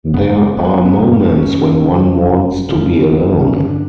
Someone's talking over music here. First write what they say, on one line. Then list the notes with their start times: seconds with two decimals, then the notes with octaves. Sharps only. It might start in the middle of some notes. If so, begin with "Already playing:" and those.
There are moments when one wants to be alone.
0.14 F#2 C#3 B3
0.57 F#1 B3
0.85 B3
0.99 F#2 C#3
1.13 C#4
1.21 D4
1.29 C#4
1.42 F#1
1.84 F#2 C#3
2.27 F#1
2.69 F#2 C#3
3.12 G1 B3
3.41 C#4
3.54 G2 D3
3.69 D4